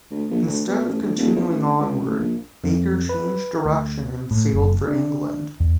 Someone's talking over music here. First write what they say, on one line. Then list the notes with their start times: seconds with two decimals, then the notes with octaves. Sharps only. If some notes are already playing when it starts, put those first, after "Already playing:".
Instead of continuing onward, Baker changed direction and sailed for England.
0.11 D2
0.30 A#1
0.46 D2
0.69 B2
0.88 A1
1.02 D2
1.17 D#1
1.36 E2
1.48 A1
1.79 C#2
2.00 A1
2.19 A#1
2.64 F2
3.09 B4
3.65 D2
4.31 A2
4.53 F#1
4.87 D4
5.60 E2